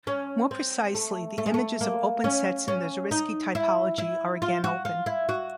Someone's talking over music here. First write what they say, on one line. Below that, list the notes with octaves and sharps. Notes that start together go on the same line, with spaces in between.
More precisely, the images of open sets in the Zariski topology are again open.
C#4
C4
A3
A3
G#3
A3
A#3
C#4
C#4
D#4
E4
E4
F4
F#4
F4
E4
F#4